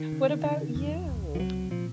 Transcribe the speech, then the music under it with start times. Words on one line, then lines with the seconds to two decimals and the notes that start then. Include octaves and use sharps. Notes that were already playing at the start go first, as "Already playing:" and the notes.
What about you?
Already playing: D#3
0.12 C#3
0.44 C#3
0.75 F2
1.08 C#2
1.35 F3
1.39 C3 F#3
1.71 A#2 F3